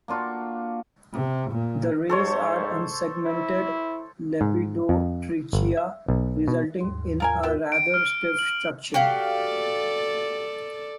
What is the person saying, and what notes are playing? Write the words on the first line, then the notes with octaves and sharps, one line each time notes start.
The rays are unsegmented lepidotrichia, resulting in a rather stiff structure.
A#3 D4 F4 F#4
C3
A#2
G#2 A4 C5 C#5
E4
G#2
F2
G1
E5
B1
B2
D#2 G#2 C6
F4 A#4 G#5
B3 F4 A#4 E5 G5
D7
F6
F#7
F#4 G4 A4 D5 F5